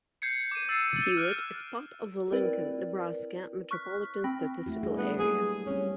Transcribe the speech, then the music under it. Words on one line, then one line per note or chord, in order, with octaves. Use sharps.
Seward is part of the Lincoln, Nebraska Metropolitan Statistical Area.
G6 G#6 C7 C#7
D6 D#7
E6 A6 C7 D#7
E6
F6 F#6 D7
C4 E4 A#4 B4 D5
C#6 F6 F#6 B6
C4 G5 B5 A#6
A3 E4 F#4
G3 D4 G#4
G3 B3
F#3 G3 A#3 G#4
G3 C4 C#4